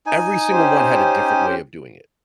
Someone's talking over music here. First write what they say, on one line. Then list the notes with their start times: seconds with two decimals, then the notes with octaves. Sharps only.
every single one had a different way of doing it,
0.06 D#4 G#5
0.51 C#4 G4 C5